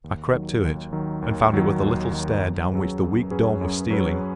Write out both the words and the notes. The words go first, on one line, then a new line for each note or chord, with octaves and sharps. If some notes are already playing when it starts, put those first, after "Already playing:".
I crept to it, and found it was the little stair down which the weak dawn was stealing.
D#2
D#3 F#3
D#2
D#3 F#3
D#2
D#3 F#3
D#2
D#3 F#3
F#2
F#3 C#4 G#4 B4
F#2
F#3 C#4 G#4 B4
F#2
F#3 C#4 G#4 B4